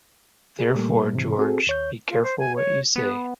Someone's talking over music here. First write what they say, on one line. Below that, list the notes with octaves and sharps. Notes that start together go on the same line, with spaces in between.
Therefore, George, be careful what you say.
G#4
A#2 G3 A3 A#3
G#2 C3 E3
C4 F#4 G#4 A4
D#2 C#5 G6
F4
C5
G#5
C#5
B3